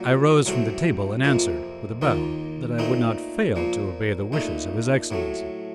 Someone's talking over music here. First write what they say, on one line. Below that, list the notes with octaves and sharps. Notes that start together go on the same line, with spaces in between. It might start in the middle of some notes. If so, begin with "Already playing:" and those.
I rose from the table and answered, with a bow, that I would not fail to obey the wishes of his excellency.
Already playing: A#2 F#3 A#3
C2 C3 F#3 A3 C4
F2 C3 F3 A#3
D#2 D#3 A#3 F4
A#2 A3 C4 D#4 A#4
A#2 F3 A#3
A#1 A#2 A3 D#4
A2 F#3 A3